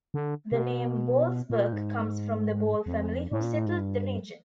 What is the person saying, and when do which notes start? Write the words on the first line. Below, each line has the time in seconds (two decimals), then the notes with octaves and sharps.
The name "Boalsburg" comes from the Boal family who settled the region.
0.14 D3
0.52 C3
0.60 B2
1.50 A#2
1.73 G#2
2.86 F2
3.32 A2
3.43 A#2
3.54 A2
3.66 G#2
3.77 G2